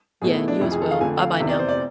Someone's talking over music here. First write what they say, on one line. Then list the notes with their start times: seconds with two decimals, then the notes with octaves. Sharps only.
Yeah, you as well. Bye-bye now.
0.22 B1 B2 A3 G#4
0.34 E4
0.48 D4
0.61 F1 F2 E3 E4
0.72 G#4
0.81 A4
0.91 F5
1.00 F2 D3 A3 G#5
1.20 F5
1.39 F1 E2 C3 E5
1.49 D5
1.59 C5
1.69 D5